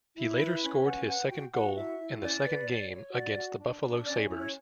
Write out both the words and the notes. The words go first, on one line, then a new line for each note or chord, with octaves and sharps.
He later scored his second goal in the second game against the Buffalo Sabres.
E4
B4 B5
C#4
B4 F#5
B4 F#5
F#4 G5
F#4 F#5
E4 E5
E4
C#4 D5
B4
C#5
C#5
F#4 D5
F#4
D4
D4
C#4 D5
E4
C#5